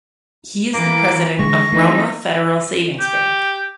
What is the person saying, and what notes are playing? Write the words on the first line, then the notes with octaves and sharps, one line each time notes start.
He is the President of Roma Federal Savings Bank.
E3 A#3 D6
D3 G#3 C#6 A#6
E3 A3 C4 D#4
G4